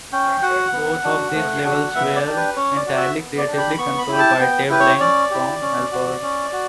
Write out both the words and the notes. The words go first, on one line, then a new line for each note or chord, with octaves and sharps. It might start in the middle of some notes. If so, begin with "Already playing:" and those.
Both of these labels were entirely creatively controlled by Dave Laing, from Melbourne.
C#4 G5
F#4 F#5
B3
D4 F#4
A3
D4 F#4
B3 E5
D5
D4 G4
B4
C#4 C#5
D5
F#4
E5
B3
D5
D4 G4
B5
B3 C#6
B5
E4 G4
A5
B3 G5
E4 G4 B4
C#5
C#4 D5
E4 G4
C#4
F#4
C#4
F#4